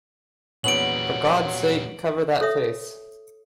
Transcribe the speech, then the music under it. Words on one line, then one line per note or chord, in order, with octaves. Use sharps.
For Gawd's sake, cover that face!
E2 A#2 F#3 G3 B3 C#4 D7 F#7
A4 C#5 E5 D#6